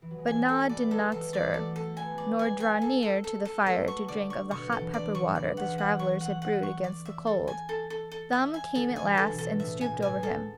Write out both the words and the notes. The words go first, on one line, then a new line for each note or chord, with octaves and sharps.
But Nod did not stir, nor draw near to the fire to drink of the hot pepper-water the travellers had brewed against the cold. Thumb came at last and stooped over him.
E3
F#3
G#3
F#3 A3 G#5
A4
G#3 B3 D5
A4
E3 G#3 A4
D5
F#3 A3 A4
A4
B3 G#5
G#3 B3 D5
G#5
G#5
A4
A4
A4
A4
B3
F#3 A3 A4
C#6
G#3
D3 F#3 D5
C#6
B2 D3 C#6
F#3
A4
C#3 E3
D5
D3 F#3
C#6
C#3 E3 D5
F#5
F#5
C#6
F#5
F#5
C#6
D5
E5
A4
G#5
A4
A4
A4
E5
G#5
D3 F#3 A4
D3 G#5
C#3 E3
A4
B2 D3
A4
A2 C#3 E5
G#5
B2
A2 C#3 G#5
A4